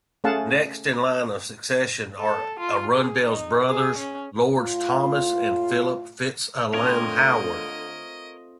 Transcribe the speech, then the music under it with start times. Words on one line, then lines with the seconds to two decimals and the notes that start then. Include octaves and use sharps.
Next in line of succession are Arundel's brothers, Lords Thomas and Philip Fitzalan-Howard.
0.24 A3 C#4 G#4 F5 F#5 A5
2.19 A4
2.60 F4
2.94 G#4
3.23 D#4
3.67 G#4
3.98 C#4
4.57 A2 F4
6.73 D3 A3 C4 F4 A#4 C#5 D#5